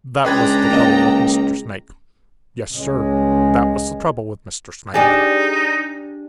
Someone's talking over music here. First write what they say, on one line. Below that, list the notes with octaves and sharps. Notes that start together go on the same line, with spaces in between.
That was the trouble with Mr. Snake. Yes, Sir, that was the trouble with Mr. Snake.
C#2 G#3 D4 B4 G5 A#5 G#6
C#2 A#3 D#5
C#2 G#3
D4 D#4 G4 G#4